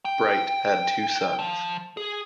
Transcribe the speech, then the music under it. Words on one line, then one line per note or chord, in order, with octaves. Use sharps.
Bright had two sons.
G5
F3
G#4